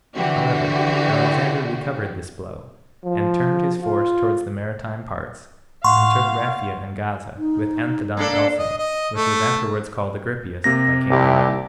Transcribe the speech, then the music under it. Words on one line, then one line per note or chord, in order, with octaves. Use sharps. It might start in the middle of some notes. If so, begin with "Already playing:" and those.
However, Alexander recovered this blow, and turned his force towards the maritime parts, and took Raphia and Gaza, with Anthedon also, which was afterwards called Agrippias by king Herod.
D3 E3 F#4 G4
F3
F4
A2 F5 F#5 C6 C#6
D#4
A#3 D4 A4
D#5
D#5
A3
C3 A#3 A#6
C2 D#3 E4 G4